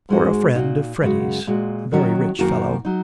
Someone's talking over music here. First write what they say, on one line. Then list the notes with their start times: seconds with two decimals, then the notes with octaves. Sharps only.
'For a friend of Freddy's--a very rich fellow.
0.09 G#2 G#3 D#4 F#4
0.55 A#2 A#3 D#4 F#4
1.01 F#2 C#3 G#3 F#4
1.47 A#2 G#3 F#4
1.93 D#3 F#3 C#4 F#4
2.39 F#2 D#3 A#3 F#4
2.85 F#3 D#4